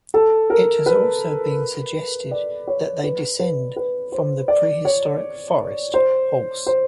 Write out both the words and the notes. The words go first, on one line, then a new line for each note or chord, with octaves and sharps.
It has also been suggested that they descend from the prehistoric Forest horse.
A4
A#4
B4
D5
C#5
B4
B4
B4
C5
D5
C#5
C5
C5